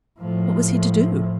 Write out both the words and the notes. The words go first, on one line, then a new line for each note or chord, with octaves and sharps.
What was he to do?
A2 F3